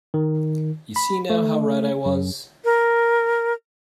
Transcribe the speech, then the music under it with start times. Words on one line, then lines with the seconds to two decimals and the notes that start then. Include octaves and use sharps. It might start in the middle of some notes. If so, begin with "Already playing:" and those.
You see now how right I was.
0.14 D#3
0.96 B5
1.30 A3
2.06 F#2
2.65 A#4